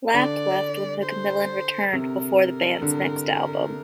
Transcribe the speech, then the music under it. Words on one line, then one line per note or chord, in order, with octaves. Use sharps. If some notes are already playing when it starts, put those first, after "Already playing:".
Lapp left when MacMillan returned before the band's next album.
D3 D5
C5
C3 A#4
D3